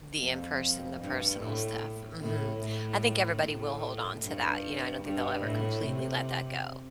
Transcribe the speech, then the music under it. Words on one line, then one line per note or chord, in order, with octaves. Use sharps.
The in-person the personal stuff. Mhm. I think everybody will hold on to that, you know, I don't think they'll ever completely let that go.
F2
G2
A2
A2
A2
A2
G2
G2
A2
C3